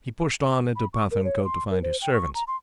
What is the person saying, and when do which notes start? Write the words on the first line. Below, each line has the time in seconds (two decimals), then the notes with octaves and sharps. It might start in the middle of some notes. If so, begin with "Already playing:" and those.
He pushed on into Pathankote to find his servants.
0.76 B5
0.93 C#6
1.11 A#4
1.24 C#5
1.44 C6
1.71 A#4
1.83 C5
2.02 G5
2.13 C#6
2.35 A#5
2.47 C6